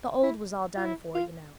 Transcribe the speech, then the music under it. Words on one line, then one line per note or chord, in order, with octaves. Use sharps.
The old was all done for, you know.'
E4
F4
E4
F4